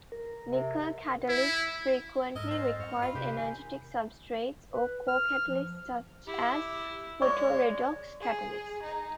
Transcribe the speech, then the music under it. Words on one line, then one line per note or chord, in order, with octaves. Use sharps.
Nickel catalysts frequently require energetic substrates or co-catalysts such as Photoredox catalysts.
A#4
C3
E4
G#2 A4 A#4 D#5 A5
C4 D#5
G2 C#6 F6
F4 B5
C3 G4 B4 C5
D#3 G#5
B4
F6
F3
E4 G4
G#3 C#5 D5 C#6
G#4
D#4